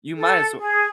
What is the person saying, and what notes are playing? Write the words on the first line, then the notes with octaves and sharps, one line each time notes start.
you might as well
A4
G#4